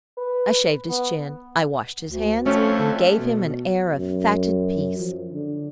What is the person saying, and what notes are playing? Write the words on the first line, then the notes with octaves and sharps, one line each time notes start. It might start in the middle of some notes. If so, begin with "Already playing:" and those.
I shaved his chin, I washed his hands, and gave him an air of fatted peace.
B4
B3
D2
F2 A3 C#4 A4
B2
F#2
F3
D3